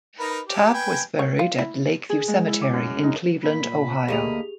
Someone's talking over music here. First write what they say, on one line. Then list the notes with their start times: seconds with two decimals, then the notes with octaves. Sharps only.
Taft was buried at Lake View Cemetery in Cleveland, Ohio.
0.19 D#4 A#4 B4
0.47 G4
0.74 B4 G5 G#5
1.19 C#5
1.39 F4
1.59 E4
2.10 G#4
2.28 G#3
2.48 E4
2.61 D6
2.73 F#2
3.03 D#4
3.44 A#2 B5
4.08 D2 A#3 G4 G#4 D#5 F7